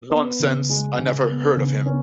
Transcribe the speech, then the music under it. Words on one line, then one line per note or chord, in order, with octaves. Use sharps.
Nonsense, I never heard of him!
B3
C#3
G#3
C#3
B3
C#3
B3 C#4